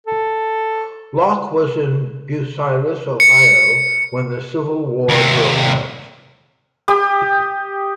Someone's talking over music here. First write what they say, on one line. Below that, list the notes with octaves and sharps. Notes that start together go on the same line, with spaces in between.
Locke was in Bucyrus, Ohio when the Civil War broke out.
A4
C#7
D#2 C3
G4 D#6